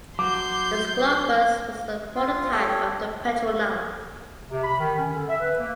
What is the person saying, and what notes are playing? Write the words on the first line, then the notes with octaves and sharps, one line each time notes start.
The sclopus was the prototype of the petronel.
F#3 C6 D6 G6
F4 C6
G4 A4 C#5
C3
B5
D#3
C#4
D3
E5
B4
A#3